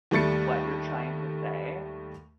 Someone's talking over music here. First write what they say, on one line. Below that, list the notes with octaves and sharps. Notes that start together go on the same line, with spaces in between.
what you're trying to say.
D#2 G3 A3 A6 C#7